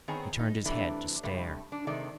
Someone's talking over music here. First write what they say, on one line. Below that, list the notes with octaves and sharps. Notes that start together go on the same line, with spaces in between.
He turned his head to stare.
D#3 B3 C4 G#4 C#5 A#5
D#4
C3 E3 G3 A3 D4
G2 C3 G3 A3
D4
C3 D#3 G#3 A4 D5